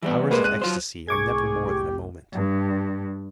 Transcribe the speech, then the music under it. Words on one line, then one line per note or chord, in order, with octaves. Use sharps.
Hours of ecstasy are never more than a moment.
E3 G3 B3
C2 G#3 A#3 B4 C5
F#6 D#7
F#3 F4 C5
C2 A2 G#4 C#6 D6 G#6
G4
G2